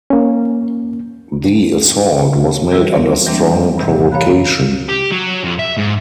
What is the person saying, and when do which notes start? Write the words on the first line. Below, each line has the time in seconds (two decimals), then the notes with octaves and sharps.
The assault was made under strong provocation.
0.10 A#3 C#4
2.72 E3 G3 F#4 G#4 B4 E6
2.93 C4 A#4
3.26 E3 G3 G#3 A#3 C4 D4
3.78 G2 C3 E3
4.12 C#5 F5 A#5 B5 F#6
4.89 G4
5.11 F#3
5.44 F2
5.59 E5
5.77 G#2